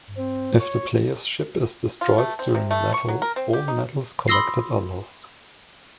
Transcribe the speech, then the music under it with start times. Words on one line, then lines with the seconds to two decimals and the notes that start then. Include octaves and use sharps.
If the player's ship is destroyed during a level, all medals collected are lost.
0.17 C4
0.60 C#5
2.01 F4
2.18 A3
2.39 C4
2.55 C3
2.71 A3
2.94 C#6
3.08 F#3
3.22 A#4
3.36 C4
3.53 G4
3.68 D#4
4.28 B5 C6 D#6 E6 A#6 C7